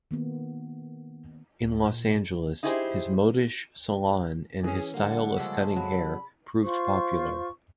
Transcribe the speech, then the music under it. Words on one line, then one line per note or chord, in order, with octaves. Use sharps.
In Los Angeles, his modish salon and his style of cutting hair proved popular.
D#3 A#3 B3
D2
A#2
D#4 E4 G4 G#4 B4 C5
E3 C#4 G#4
D3 G3 A#3 F#5
C#3 F3 G#3 D4 A4
F#3 B5
F4 C5 C#6